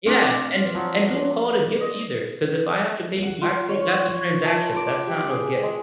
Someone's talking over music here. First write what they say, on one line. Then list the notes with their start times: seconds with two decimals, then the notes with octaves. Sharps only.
Yeah, and and, "Don't call it a gift either, 'cause if I have to pay you back for it, that's a transaction, that's not no gift."
0.06 A3 C4 D4 F4 D5 F#5
0.75 F3 F#3
1.81 D#5
3.23 F#5
3.41 F4
3.68 C#5
4.45 A5
4.76 D6
5.07 G4
5.29 G#4
5.63 G#3